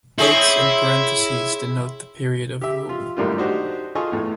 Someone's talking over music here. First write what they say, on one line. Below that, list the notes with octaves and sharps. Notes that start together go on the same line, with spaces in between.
Dates in parentheses denote the period of rule.
C4 E4 G#4 C#5
G4 E5
F4
F#2 A2 D#3 G3 A#3 F4
D4 D#4 F#4 G4 C5
F4 G#4 A4 D#5 C#6
E2 A2